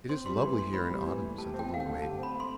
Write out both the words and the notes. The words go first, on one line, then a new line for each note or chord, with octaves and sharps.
"It is lovely here in autumn!" said the little maiden.
C4 C6
G3 C6
E3 C6
A2 C6
C4 B5
G3
E3
A2
G4 A5
C4
G5
A3 F5
G5
D3
G4 A5
C4 B5
A3
C6